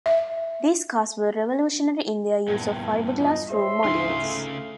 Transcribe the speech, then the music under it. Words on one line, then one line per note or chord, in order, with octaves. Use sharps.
These cars were revolutionary in their use of fiberglass room modules.
E5
E2 G2 A#2 G#6 A#6
D#4 F4
G#4 C5 C#5 E5 C6
D2 G#2 C#3 E3 F4
A3